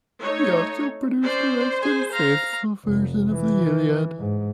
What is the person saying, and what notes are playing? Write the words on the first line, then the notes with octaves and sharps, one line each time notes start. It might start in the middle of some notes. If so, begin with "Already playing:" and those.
He also produced a less-than-faithful version of the "Iliad".
A3 D#4 C#5
C#4 C5 D5
G#4 G#5
F5 A#5
F1
E3
G#2